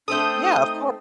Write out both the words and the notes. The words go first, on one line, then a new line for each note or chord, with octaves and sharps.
Yeah, of course.
A3 C4 D4 A4 D#6 G6
D#4